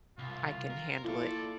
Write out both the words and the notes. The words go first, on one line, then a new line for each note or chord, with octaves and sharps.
I can handle it.
C2 F4
A#4
A#3 E4 F4 A4 D5